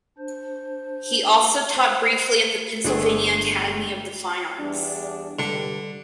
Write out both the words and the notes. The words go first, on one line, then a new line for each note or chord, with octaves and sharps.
He also taught briefly at the Pennsylvania Academy of the Fine Arts.
D4 C5
C5
G1 A3 D4 G#4
E2 G3 D4
G2 D3 G3